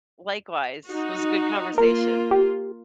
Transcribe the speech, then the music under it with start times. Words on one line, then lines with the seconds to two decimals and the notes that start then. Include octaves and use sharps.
Likewise. It was a good conversation.
0.90 D#4 F#4
1.78 A#3 F4 A#4
2.31 G4